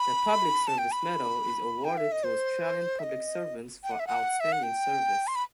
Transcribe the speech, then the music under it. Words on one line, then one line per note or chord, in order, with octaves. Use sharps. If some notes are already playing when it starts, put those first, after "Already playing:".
The Public Service Medal is awarded to Australian public servants for outstanding service.
Already playing: B5
A5
G5
B5
G5
E5
D#5
C5
E5
D#5
G5
F#5
E5
F#5
E5
F#5
G5
C6
B5